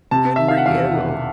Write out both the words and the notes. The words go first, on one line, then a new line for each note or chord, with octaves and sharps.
Good for you.
C3 A5
D#3 E5
F5
F#5
E2 F5
E1